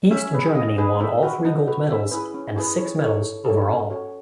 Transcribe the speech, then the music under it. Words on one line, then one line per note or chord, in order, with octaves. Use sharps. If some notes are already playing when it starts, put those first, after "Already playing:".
East Germany won all three gold medals, and six medals overall.
C#4 E5
G#4 B4
C#4 D#5
G#4 B4
D#4 E5
F#4 B4
D#4
F#4 B4
C#4 E5
E4 G#4 B4
C#4
E4 G#4 B4
E4 C#5
A4 C#5
E4
A4 C#5
C#4
F#4 A4 C#5